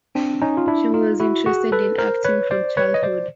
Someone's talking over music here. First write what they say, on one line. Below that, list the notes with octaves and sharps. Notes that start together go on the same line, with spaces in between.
She was interested in acting from childhood.
C4 D4
C#4 D#4
F4
D4 E4
D#4 F4
E4 F#4
F#4 G#4
A4 B4
A#4 C5
B4 C#5
C5 D5
B4 C#5
D#5
C5 D5